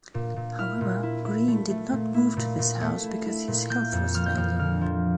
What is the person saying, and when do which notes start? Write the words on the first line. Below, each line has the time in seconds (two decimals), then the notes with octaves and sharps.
However, Green did not move to this house because his health was failing.
0.14 A#2
0.36 A#2
0.58 E4 F6
0.81 A#2
1.03 E4
1.25 E4
1.48 A3
1.70 A3
1.92 A#2
2.14 E4
2.37 A#2
2.59 A#2
2.81 A3
3.03 E4
3.26 E4
3.48 A#2
3.69 A#3 G6
3.92 F2
4.14 F3 F6
4.26 G6
4.37 F2 F6
4.59 D3 F6
4.81 F3